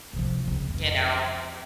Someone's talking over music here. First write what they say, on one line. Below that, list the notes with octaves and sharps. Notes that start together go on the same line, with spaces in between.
you know,
C3 F3
C#3
F2